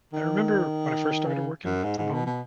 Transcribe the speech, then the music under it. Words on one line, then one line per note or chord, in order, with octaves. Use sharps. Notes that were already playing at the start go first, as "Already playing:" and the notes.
I remember when I first started working from home
D#3
C#3
F#2
G#2
G#2
B2
B2